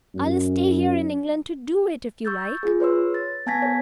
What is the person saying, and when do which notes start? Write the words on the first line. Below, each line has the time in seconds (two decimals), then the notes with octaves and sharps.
I'll stay here in England to do it, if you like.
0.15 F#2
2.25 C#6 E6 G6 A6
2.63 F4 G#4
2.80 B4 C#5 C6 E6
3.14 A6
3.46 B3 G#5 A5 G#6 A#6 B6
3.62 A#4 C#5